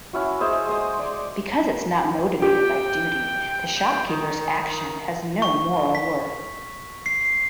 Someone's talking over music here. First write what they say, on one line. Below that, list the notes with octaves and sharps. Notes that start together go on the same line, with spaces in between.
Because it is not motivated by duty, the shopkeeper's action has no moral worth.
C#4 E4 F#4
G#4 C5 D#5 E5
G#3 C5 D#6
D5 G#5 D6
G4 G5
D#3
C#6
B6
C7